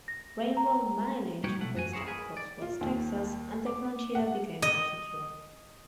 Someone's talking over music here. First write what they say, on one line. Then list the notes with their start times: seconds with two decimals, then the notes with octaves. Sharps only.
Railroad mileage increased across West Texas, and the frontier became more secure.
0.08 A#6
0.57 A#5
1.44 G3 D#4 F#4 B4 C#5 G5
1.60 B1 A3 F#5
1.75 F#2 F#4 G#5
1.93 E4 G#4 A#4 C5 C#5
2.07 G#4 A#4 B4 G#5
2.37 D5
2.62 F4
2.81 D#2
3.66 D6
4.15 F#5
4.62 D#5